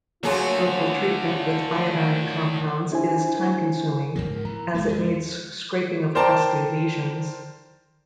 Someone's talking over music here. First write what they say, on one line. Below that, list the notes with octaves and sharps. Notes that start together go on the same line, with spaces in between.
Local treatment with iodine compounds is time-consuming, as it needs scraping of crusty lesions.
D3 F#3 A3 A#3 F4 G#4 C#5 C6
D4 E4 C5 G#5
G#2 F3 A#3 A#4
E3 A#5
G#1 F#3 G#3 A#3
E2 G#2 D3
A#4 C5 D5 G5 A5 A#5